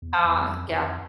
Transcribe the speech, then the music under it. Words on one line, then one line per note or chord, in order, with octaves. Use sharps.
Ah. Yeah.
E2
E2
F2
F2